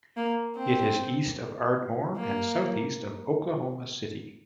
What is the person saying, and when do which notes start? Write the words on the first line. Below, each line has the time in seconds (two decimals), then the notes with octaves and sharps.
It is east of Ardmore and southeast of Oklahoma City.
0.17 A#3
0.57 C4
2.17 A#3